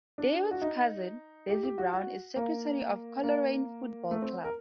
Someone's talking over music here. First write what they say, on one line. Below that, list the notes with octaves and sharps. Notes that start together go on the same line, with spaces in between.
David's cousin, Dessie Brown is secretary of Coleraine Football Club.
D4
F#4
D#4
G4
G4
F#4
F#4
A#3
A#3
A3
C4
A#4